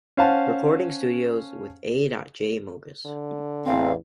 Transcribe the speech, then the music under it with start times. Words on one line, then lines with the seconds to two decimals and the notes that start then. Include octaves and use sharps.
Recording Studios with A. J. Mogis.
0.17 C#4 C5 F5 F#5 A5
3.05 D3
3.66 A1 E2 C4 F5